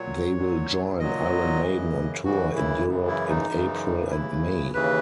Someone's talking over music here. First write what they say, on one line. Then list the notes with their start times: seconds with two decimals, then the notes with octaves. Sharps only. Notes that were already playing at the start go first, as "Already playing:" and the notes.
They will join Iron Maiden on tour in Europe in April and May.
Already playing: A#2 F#3 C#5
0.38 A#2 F#3
1.00 A#2 F#3 D#5
1.63 F#2 C#3 E3
2.25 F#2 C#3 E3 F#4
2.56 E4
2.87 F#2 C#3 E3
3.08 E4
3.29 D#4
3.50 F#2 C#3 E3
4.11 D#2 C#3 E3 E4
4.74 D#2 C#3 E3 B4